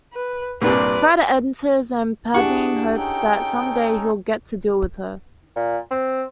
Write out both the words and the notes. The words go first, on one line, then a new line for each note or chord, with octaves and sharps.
Fred enters and Pavayne hopes that some day he'll get to deal with her.
B4
C2 G2 A#2 B4 D5
D4 E4 G4 G#4 F#5 C#6
C#4 D#4 A4 G5
A#2
C4